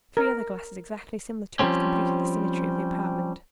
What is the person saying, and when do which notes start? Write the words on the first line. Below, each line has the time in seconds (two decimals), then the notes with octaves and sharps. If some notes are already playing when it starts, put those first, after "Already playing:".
Three other glasses, exactly similar to it, completed the symmetry of the apartment.
0.17 A#4
1.59 F3 G3 G#3 C4 C#4